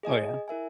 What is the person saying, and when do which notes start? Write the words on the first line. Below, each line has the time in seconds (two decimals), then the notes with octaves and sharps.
Oh, yeah?
0.03 G#4 D#5 G#5
0.48 E4 A#4 E5 G#5